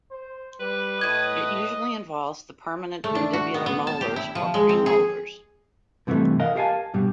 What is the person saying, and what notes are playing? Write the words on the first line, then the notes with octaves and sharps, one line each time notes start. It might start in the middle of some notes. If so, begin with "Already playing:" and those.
It usually involves the permanent mandibular molars or premolars.
C5
G3 B4
A2 D#5 G#6 D#7
A3
D4
F#4
B3
B3
A5
G4
E4
F3
G#3
C4
G#4
G2 C3 E3 G#3 A3
A#4 D#5 F5 F#5
G4 A#4 F5 F#5 G#5 A5
G2 B2 G3